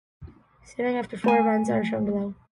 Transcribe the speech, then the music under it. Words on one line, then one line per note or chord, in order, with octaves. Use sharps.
Standings after four events are shown below.
A3 G#5